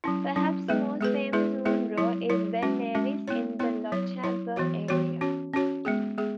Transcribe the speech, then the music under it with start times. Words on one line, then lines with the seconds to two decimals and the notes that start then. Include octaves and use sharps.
Perhaps the most famous Munro is Ben Nevis in the Lochaber area.
0.04 F#3 C#4 E4
0.36 F#3 C#4 E4
0.68 G#3 B3 G#4 B4
1.01 G#3 B3 G#4 B4
1.33 G#3 B3 E4 G#4 B4
1.65 G#3 B3 E4 G#4 B4
1.98 F#3 E4 C#5
2.30 F#3 E4 C#5
2.63 G#3 C#4 F#4
2.95 G#3 C#4 F#4
3.28 B3 E4 C#5
3.59 B3 E4 C#5
3.92 F#3 E4 C#5
4.23 F#3 E4 C#5
4.56 E3 B3 F#4 C#5
4.88 E3 B3 F#4 C#5
5.21 C#4 F#4 C#5
5.53 C#4 F#4 C#5
5.85 G#3 B3 G#4
6.18 G#3 B3 G#4